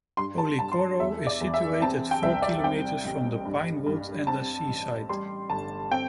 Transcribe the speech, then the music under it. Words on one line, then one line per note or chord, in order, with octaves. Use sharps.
Policoro is situated four kilometers from the pinewood and the seaside.
G2 C6
A5
G2 A5
C6
A5
E2 E5
D5
E2
E5
C4 A5
G5
C2 E5
D5
C4 G5
A1
G2
G2
C4 A5
A1
G3 C6
G1 A5
C4 G5